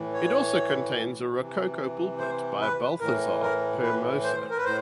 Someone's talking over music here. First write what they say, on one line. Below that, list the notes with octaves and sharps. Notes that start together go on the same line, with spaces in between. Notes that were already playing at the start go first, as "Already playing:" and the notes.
It also contains a Rococo pulpit by Balthasar Permoser.
Already playing: A2 E3
C#5
C3 E3
C5
B4
A2 E3 A#4
A#4
B4
C5
A#4
B4
A2 C5